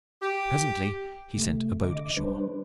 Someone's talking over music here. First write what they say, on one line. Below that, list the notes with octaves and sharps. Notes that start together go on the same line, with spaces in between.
Presently he sent a boat ashore.
G4
C3 A3
D3 D#5 D6
G3 D4 B4 C5